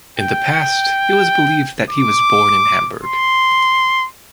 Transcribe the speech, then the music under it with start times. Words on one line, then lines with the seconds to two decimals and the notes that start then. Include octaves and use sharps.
In the past it was believed that he was born in Hamburg.
0.19 G5
1.90 D6
3.04 C6